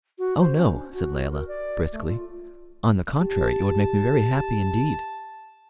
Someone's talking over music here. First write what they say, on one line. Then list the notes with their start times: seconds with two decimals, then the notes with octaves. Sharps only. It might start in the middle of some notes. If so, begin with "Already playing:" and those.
"Oh no," said Layelah, briskly; "on the contrary, it would make me very happy indeed."
0.19 F#4
0.40 C5
0.58 C#4
0.74 D4
0.93 F#4
1.31 A#4
1.48 D5
1.92 A3
2.07 F4
3.21 G4 A5